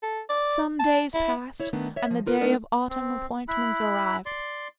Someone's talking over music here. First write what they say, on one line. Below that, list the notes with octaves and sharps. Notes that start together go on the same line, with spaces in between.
Some days passed, and the day of autumn appointments arrived.
A4
D5
A5
E4
E4 C#5
D#3 A3 B3 D4
C#5 E5
F3
E2 F4 A#4 B4
A3 B3 D4 D#4 A#4 D5
C4
E4 B5 F#6
D5 C6